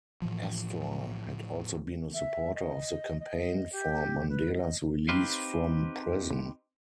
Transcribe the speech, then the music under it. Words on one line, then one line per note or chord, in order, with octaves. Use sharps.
Astor had also been a supporter of the campaign for Mandela's release from prison.
A2 E3 F3
E5
D#5
D#5
G4
B4
D#5
C4 D#4 G4 B4 C5 F5